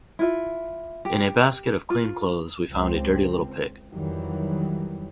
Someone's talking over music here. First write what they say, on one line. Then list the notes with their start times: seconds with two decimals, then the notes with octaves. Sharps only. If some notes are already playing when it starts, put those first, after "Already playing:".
In a basket of clean clothes we found a dirty little pig.
0.19 E4 F4 E5
1.05 G4
1.90 F4
2.72 C#2 C4
3.92 F2 D#3 E3 F#3 G3